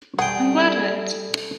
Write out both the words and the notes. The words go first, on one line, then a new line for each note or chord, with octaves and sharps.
I'm glad of it!
G3 G#4 A4 F#5 G5